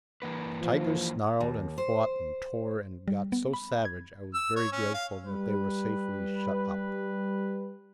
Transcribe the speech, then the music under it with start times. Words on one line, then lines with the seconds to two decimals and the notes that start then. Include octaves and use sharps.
The tigers snarled and fought and tore and got so savage I was very grateful that they were safely shut up.
0.22 E3 A#3 B4
0.62 F3
1.40 D#2
1.78 C5
3.08 G3
3.32 B3
3.54 B5
3.85 G#6
4.34 E6
4.56 C#5
4.72 C#4
4.94 F5
5.25 G3 B4